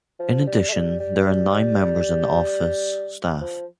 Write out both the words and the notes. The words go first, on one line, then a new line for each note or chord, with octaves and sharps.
In addition, there are nine members in the office staff.
F3
G3
A3
G3
G3
F3